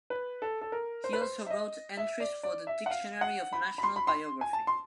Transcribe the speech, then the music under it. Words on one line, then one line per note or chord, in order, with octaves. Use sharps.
He also wrote entries for the "Dictionary of National Biography".
B4
A4
A4
A#4
C5
B4
C5
E5
D#5
E5
D5
D5
E5
F#5
F5
F#5
B5
B5
C6
B5
C6
G#5
A5
C6